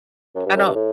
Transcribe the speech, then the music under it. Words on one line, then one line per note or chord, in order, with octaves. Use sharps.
I don't
F#2
G2
F#2
G2
A2